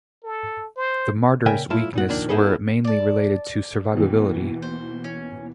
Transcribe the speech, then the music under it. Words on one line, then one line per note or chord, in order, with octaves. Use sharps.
The "Marder"'s weaknesses were mainly related to survivability.
A4
C5
A#2 C#3 A#4 E5 G5 G#5
B1 A3 E4 F4 A5
A#2 D#4 F#4
F2 A#2 D#3 D4
B3 D#4 E4 G#4 A4 B4
D5 A5
D#2 B2 E3
C5
C#4